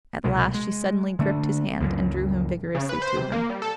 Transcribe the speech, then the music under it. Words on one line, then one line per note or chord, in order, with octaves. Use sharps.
At last she suddenly gripped his hand and drew him vigorously to her.
C2 B2 G#3
G#3
D3 A3 D4
C#2 F#2 A#2
C#3
B4
C5
C3
A#3
G3
A4